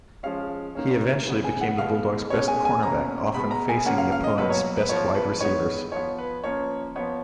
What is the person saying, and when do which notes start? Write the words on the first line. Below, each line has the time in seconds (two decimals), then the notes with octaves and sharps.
He eventually became the Bulldogs' best cornerback, often facing the opponents' best wide receivers.
0.23 F3 G#3 C#4 F5
0.75 D#3 A#3 C#4
1.27 C#3 G#3 B3
1.44 G#5
1.61 F#5
1.78 B2 G#3 B3 F5
2.30 B2 G#3 C#4 C#5
2.48 G#5
2.65 G#5
2.82 B2 A#3 C#4 A#5
3.34 B2 G#3 B3 B5
3.51 A#5
3.69 G#5
3.85 C#3 F3 A#3 C#4 F#5
3.98 F5
4.12 F5
4.24 D#5
4.37 B2 F#3 A#3 B4
4.50 C#5
4.77 B4
4.88 F3 B3 C#5
5.15 B4
5.41 D#3 G#3 B3 C#5
5.92 F3 B3 C#5
6.18 B4
6.44 F3 A#3 C#4 C#5
6.96 F3 B3 C#5